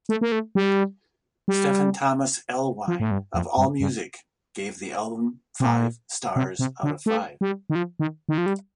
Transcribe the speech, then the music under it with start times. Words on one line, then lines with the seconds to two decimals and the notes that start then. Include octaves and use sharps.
Stephen Thomas Erlewine of AllMusic gave the album five stars out of five.
0.09 A3
0.21 A#3
0.32 A3
0.55 G3
1.48 G3
2.88 F3
3.00 A2
3.11 G2
3.34 F2
3.58 G2
3.80 G2
5.60 C3
5.66 A#2
6.36 C3
6.59 C3
6.83 D3
7.06 A3
7.41 G3
7.70 D#3
7.75 F3
8.00 D#3
8.29 D#3
8.38 F3
8.46 G3